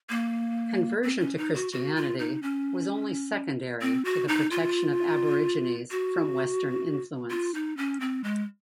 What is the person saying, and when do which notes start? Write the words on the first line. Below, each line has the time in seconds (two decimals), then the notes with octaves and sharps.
Conversion to Christianity was only secondary to the protection of Aborigines from Western influence.
0.10 A#3
1.03 C4
1.19 C#4
1.38 D#4
1.55 F#4
1.72 F#4
1.96 F4
2.19 D#4
2.43 C#4
3.82 C4
4.05 F#4
4.28 D#4
4.51 F4
5.91 F#4
7.30 F4
7.55 D#4
7.77 C#4
8.00 C4
8.24 G#3